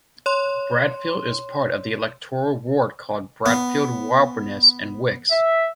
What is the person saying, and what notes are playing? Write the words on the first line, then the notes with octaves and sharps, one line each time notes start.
Bradfield is part of the electoral ward called Bradfield, Wrabness and Wix.
C#5 C6
B3
E5